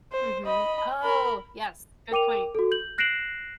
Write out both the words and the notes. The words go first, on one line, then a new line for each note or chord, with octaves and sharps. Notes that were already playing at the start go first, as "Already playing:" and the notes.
Mhm. Oh! Yes, good point.
C5
D#5 B5
A#4 B5
A#4 G5 D6 D#7 F7
F#4 A4
G6 F#7
F#6 A#6 C7 D7 E7 F#7